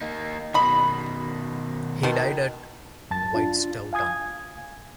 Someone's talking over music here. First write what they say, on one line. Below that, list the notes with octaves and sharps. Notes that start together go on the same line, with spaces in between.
He died at Whitestaunton.
A#3 D#4
B2 D#3 D#5 B5
B2 D#3
F#2 A5 A6
D4 F4
F5 G#5 D#6 G#6